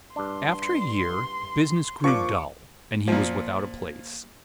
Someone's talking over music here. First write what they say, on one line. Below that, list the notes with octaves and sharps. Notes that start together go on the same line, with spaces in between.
After a year, business grew dull, and he was without a place.
G2 D4 C6
A#2 F3 D4 C#6 D6
A#2 F3